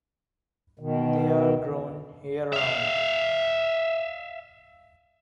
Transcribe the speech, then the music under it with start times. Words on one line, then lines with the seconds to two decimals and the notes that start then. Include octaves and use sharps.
They are grown year-round.
0.79 B2 D#3
2.53 E5 F5